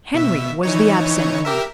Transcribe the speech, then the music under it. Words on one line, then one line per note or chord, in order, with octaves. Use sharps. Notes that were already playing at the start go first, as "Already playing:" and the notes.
Henry was the absent one.
B2 E5
E3 D#4 C#5
G4 A#4 E5